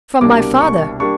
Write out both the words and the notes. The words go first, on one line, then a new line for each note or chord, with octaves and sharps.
"From my father?"
C2 B2 G3 A#3 D4 D6
C#6
G3 A#3 D4 C#6